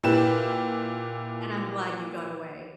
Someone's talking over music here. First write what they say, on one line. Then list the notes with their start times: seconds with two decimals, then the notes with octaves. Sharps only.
And I'm glad you got away.
0.03 A#2 E4 G4 B4 E7